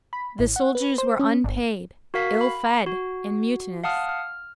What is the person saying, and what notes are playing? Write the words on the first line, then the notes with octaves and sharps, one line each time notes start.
The soldiers were unpaid, ill fed, and mutinous.
B5
A1
F#5
B4
C5
C#4
G1
F#4 A#4 F5 B6
B5
F#4
F5 F#5 A5 D#6 F6
F6